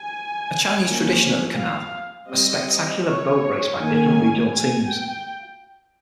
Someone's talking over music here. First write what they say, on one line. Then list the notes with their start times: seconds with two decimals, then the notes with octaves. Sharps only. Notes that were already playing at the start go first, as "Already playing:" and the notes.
A Chinese tradition at the canal, a spectacular boat race by different regional teams.
Already playing: G#5
0.81 F3 A#3 C#4
1.55 F5
2.29 G3 C4 D#5
3.04 C#5
3.78 D#3 A#3 C#4 G#5
4.53 G#5
4.90 G5